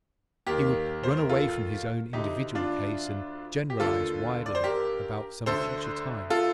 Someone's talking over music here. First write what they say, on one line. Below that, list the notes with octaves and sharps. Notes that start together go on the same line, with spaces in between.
He would run away from his own individual case, and generalise widely about some future time.
D#2 D#3 G4 A#4
C5
A#4
F4 A4
D2 D3 D#4 G4
D4 F4
G4
D#2 D3 F4 A4
D5
C5
G4 A#4
D2 D3 A4 C5
F4 A4